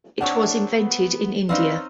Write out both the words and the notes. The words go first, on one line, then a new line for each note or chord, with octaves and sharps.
It was invented in India.
A#2 C4 D4 C#5 F#5
B3
C4 C#4 D#4 B4 D5 F5